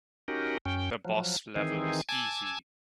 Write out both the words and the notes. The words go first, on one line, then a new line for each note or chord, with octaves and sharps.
The boss level is easy.
C#4 D#4 F#4 G4 A#4
F#2 C#4 G5
F3 F#3
D#3 E3 C4 D#4 G#4
G#5 A5 D6 E6 G#6